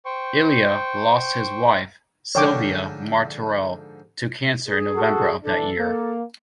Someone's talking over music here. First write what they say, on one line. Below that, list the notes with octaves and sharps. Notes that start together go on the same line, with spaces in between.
Illia lost his wife, Silvia Martorell, to cancer in November of that year.
C5 G5 C#6
G#2 D3 F3 C#5 G5 D6
G#4
F#4 A4
E3 D4 A4
A#3